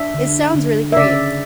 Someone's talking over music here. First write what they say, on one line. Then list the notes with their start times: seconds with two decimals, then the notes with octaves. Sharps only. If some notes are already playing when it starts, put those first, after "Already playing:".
It sounds really great.
Already playing: D4 E5
0.14 D3
0.55 D3
0.92 E5
0.97 C#3 D5